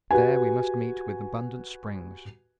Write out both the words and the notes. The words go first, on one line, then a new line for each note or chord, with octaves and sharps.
There we must meet with abundant springs.
F#4 G4 B4 G#5